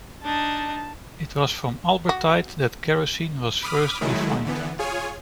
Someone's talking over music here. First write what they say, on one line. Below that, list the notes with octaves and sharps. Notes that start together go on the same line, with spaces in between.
It was from Albertite that kerosene was first refined.
D4 D#4 A5
F#4
B5 D6 D#6 F6
D#3 F#3 G#3 A3 E4
D3 E3 B3
F4 G#4 C#5 G#5